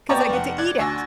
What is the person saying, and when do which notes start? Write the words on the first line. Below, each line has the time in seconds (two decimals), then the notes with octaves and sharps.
'Cause I get to eat it."
0.09 B3 D5 G5 A5 A#5 C#6
0.29 F1 F#5
0.58 D5 F#6 G#6
0.78 D2 G#5 C#6 E6 A#6